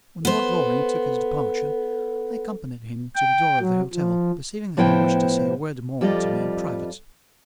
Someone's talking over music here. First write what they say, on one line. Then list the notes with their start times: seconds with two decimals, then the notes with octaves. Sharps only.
When Lord Loring took his departure, I accompanied him to the door of the hotel, perceiving that he wished to say a word more to me in private.
0.25 B3 A4 C5
3.16 G5
3.60 F#3
3.93 F3
4.77 A2 F3 B3 E4 C5 G5
6.01 F2 G3 F4 D5 D#5